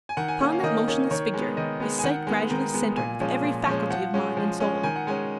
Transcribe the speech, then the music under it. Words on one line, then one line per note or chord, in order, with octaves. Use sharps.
Upon that motionless figure his sight gradually centred with every faculty of mind and soul.
G#5
D#3 F#5
G#5
A#3 C#4 F#5
F5
D#3 D#5
A#3 C#4
D#3 C#5
G#3 B3
D#3 D#5
G#3 B3
G#5
D#3 F#5
G#3 B3
D#3 A#5
G#3 B3
A#2 G#5
F3 G#3 C#4
A#2
F3 G#3 C#4
F3 F#5
G#3 C#4
F3
G#3 C#4
D#3 G#5
F#5
G#3 C#4 G#5